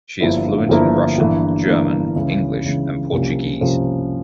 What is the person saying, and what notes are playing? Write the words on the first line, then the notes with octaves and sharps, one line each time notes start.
She is fluent in Russian, German, English, and Portuguese.
G1 G2 F3 A#3 E4
G1 G2 F3 A#3 E4
G1 G2 E3 A#3
G1 G2 E3 A#3
C#2 C#3 E3
C#2 C#3 E3
C2 C3 F3 A#3 C#4
C2 C3 F3 A#3 C#4